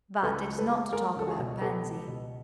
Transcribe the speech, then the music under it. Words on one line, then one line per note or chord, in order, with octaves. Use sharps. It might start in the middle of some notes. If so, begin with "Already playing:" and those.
"But it's not to talk about Pansy."
C#2 A4 B4
G#3
A4 B4
G#3
G#3 G#4 A#4
C#2 A4
F#4 G#4
B2
B3 G4 A4
C#2
B2